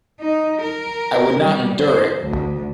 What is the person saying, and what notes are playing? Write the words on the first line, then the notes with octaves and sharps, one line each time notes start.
I would not endure it.
D#4
A#4
G3
C5
D2